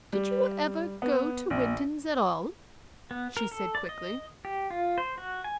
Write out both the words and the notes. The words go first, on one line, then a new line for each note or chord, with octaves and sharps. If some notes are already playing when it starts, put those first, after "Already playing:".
"Did you ever go to Winton's at all?" she said, quickly.
G3
B3
A#1
B3
A#4
A4
D5
D#5
G4
F4
C5
F#4
G#5